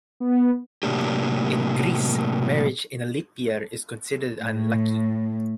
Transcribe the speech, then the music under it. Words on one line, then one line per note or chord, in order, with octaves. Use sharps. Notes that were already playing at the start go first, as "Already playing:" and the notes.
In Greece, marriage in a leap year is considered unlucky.
B3
A2 C3 F#3 A#3 D4 G4
A2